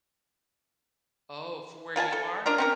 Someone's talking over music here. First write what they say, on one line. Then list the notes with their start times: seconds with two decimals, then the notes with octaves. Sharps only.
Oh, from where you are?
1.96 A#3 F4 G#5 A5
2.12 A4
2.46 C#4 D4 F4 A#4
2.58 C4 C#4 A#4